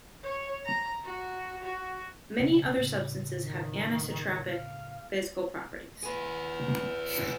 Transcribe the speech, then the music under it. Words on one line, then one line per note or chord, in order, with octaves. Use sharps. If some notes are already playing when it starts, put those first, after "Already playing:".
Many other substances have anisotropic physical properties.
C#5
A#5
F#4
F#4
B1 C#3 F3
A2 C#3
D#3
F5
G#4 B4